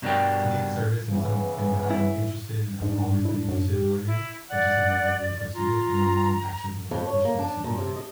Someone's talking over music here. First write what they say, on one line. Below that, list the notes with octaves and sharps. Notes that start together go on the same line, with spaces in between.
It's a needed service and something that I'm interested and I've always been interested in learning, but just have never really pursued it, and my mom actually is the one who pushed me to be like,
G2 B2 G3 D4 A#4 G5
C#3 E3 B3
E4
G#2 D4
E4
F#2
G4
E4
D5 F#5
F4 A#5
F2
C#5
A#3
D4
A#2
C3
D#5